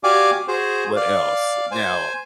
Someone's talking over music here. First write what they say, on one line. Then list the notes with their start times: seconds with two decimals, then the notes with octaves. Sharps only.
what else? Now,
0.04 F#4 G4 D5 F5 G#5 D6
0.48 F#4 G#4 C5
0.96 D5 F5
1.71 C5 G#5